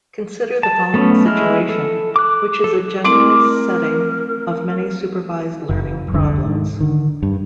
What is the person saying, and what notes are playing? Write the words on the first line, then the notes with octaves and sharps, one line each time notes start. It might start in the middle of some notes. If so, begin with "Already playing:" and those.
Consider the following situation, which is a general setting of many supervised learning problems.
A5
A3 B3 C#4
G#3 E4 F6
A4
D6 F#6
A4
A3 C4 E4 A#4 D6
F#1
F1 C2 D3
G#2 D#3
D3 D#3
G2